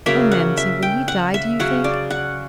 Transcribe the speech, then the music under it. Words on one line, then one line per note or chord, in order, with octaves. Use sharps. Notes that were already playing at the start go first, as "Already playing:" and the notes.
"Oh, mamsie, will he die, do you think?"
C#3 F#3 A#3 E5
F#5
E5
G5
F#5
E5
C#3 F#3 C#4 F#5
D5
F#5